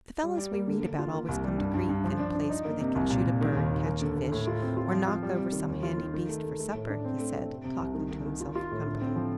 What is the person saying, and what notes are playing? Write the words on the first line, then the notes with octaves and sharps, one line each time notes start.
"The fellows we read about always come to grief in a place where they can shoot a bird, catch a fish, or knock over some handy beast for supper," he said, talking to himself for company.
G3
G3
A#3
D3
D3
F4
A#3
C2
G3
G2
G2
G2
F3
D4
D4
D#4
A#3
C3
C2
A#2
C2
D#3
D#2
D#2
A#3
D3
A#3
A2
F4
C4
F4
F3
F4
G3
C3
D#3
D#2
F4
D#3
D#3
A3
A3
A3
A2
D4
C4
A3
C4
C3
C3
C2
D#3
D#3
D#3
F4
F4
A2
D3
C4
F3